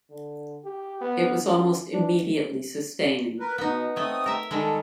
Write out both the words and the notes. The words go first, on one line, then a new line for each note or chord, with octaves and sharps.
It was almost immediately sustaining.
D3
G4
B3
F#2
D4
A#4 B4
B2 B3 D#4
A3 C4 C#5 D#6
A#4 E5
D#3 G3 G#3 A4